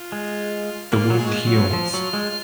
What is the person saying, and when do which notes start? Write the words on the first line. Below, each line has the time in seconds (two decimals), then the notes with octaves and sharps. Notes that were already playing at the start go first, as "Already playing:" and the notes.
The wound heals.
Already playing: F4
0.12 G#3
0.93 A#3 F4
1.10 F#3
1.18 G#3 G#4
1.25 F#4
1.33 F4
1.47 F#3
1.73 F3
1.94 F#3
2.13 G#3